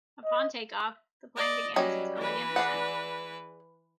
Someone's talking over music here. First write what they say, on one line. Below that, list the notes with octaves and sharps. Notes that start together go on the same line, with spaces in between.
Upon take-off, the plane begins its elegant ascent.
D#5
D5 D#5
F#3 G3 C#4 D#5
E3 B4
G#4 D5 F#5